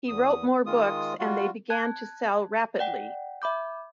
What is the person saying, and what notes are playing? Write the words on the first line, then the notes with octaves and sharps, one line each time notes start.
He wrote more books and they began to sell rapidly.
E2 D#6
D#3 G#3 F4 D#6
G3 F4 F#4
A5 F#6 G#6
D5 F#5 G5
E5 B5 D6 G6